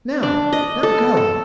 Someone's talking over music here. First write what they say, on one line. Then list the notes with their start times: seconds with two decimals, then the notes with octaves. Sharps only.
"Now--now, go."
0.23 D4
0.53 D#5
0.83 A4
1.17 A4